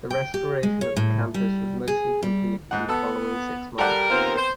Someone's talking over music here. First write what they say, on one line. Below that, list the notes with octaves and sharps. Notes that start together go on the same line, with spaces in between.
The restoration of the campus was mostly completed in the following six months.
G5
G4
G#3
C#5
A2
G3
G#4
G3
G#2 F#5
B3 A4 E6
G3 A4 A#4 F#5
D#2 B3 C4 F4 C5
C5